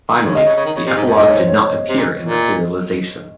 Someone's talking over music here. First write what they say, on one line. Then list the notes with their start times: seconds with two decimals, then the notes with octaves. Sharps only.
Finally, the epilogue did not appear in the serialisation.
0.16 D#3
0.26 C#3
0.35 C3 D#5
0.46 C#3
0.57 C#3
0.66 D#3
0.76 C#3
0.87 C3
0.96 G#2
1.07 F#2
1.17 G#2 D#5
1.28 C#5
1.37 C5
1.47 C#5
1.58 C#5
1.89 C3
1.98 A#2
2.25 A#2